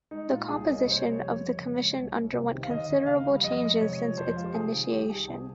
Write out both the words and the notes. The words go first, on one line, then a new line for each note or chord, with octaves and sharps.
The composition of the Commission underwent considerable changes since its initiation.
G#3 D#4
A#2 F4
C2 G#4
A#3 C#5
D#5
C3 C5
C#5
G3
F2
F2
C#3
G#3
C2
C2
C3
D#3
F5
D#2 D#5
D#2
C#3 F5
G3
F2 D#5
G#3
C3 C#5
F3
F2 C5
G#3 F4
G4
C3 G#4
D#3
C2 G4
C2 G#4
C3 G#4